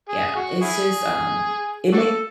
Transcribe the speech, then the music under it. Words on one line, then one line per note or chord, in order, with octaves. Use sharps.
yeah, it's just, um, it makes
G#4
F#4
E4 G#4
D4 F#4 A4